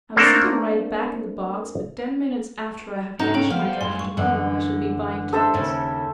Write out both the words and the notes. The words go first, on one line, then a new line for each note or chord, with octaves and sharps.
I am sitting right back in the box, but ten minutes after I have cashed my draft tomorrow I shall be buying clothes.
A3 A#3 C4 D4 A4 A#4
G#2 C#3 D4 D#4 F#4 A4 A#5
C#4 G#4 A4 G5
F3 B3 F5
G4 C5
F#2 A2 G3 G#5 C6
C#6
F#2 D3 E3
A4 C5 E5
D#2 C#3